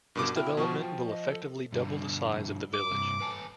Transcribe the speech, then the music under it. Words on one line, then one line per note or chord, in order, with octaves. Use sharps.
This development will effectively double the size of the village.
G2 B2 A#4 D6
B2 E4 G5 F6
B2 F3 C#6
F3 G5
D#5
A4
G2 B2 D3
D6
G2 C3
B4 G#5 A5